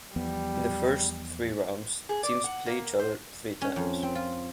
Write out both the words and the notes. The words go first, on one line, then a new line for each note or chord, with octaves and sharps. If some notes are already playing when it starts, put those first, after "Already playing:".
In the first three rounds teams play each other three times.
E2 F3 G3 B3
G#4
D5
F#5
A#3
C5
C#4
F2
C4
F4